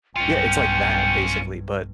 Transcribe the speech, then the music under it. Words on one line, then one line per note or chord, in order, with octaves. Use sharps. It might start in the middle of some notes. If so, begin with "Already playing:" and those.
Yeah, it's like that, basically, but
B1 G2 C#4 F4 G5 C#7